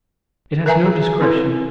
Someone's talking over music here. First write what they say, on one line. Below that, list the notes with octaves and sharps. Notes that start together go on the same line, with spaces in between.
It has no discretion.
A#4 B4 E5 G#5 A#5
G#4
C4 E4 A4 B4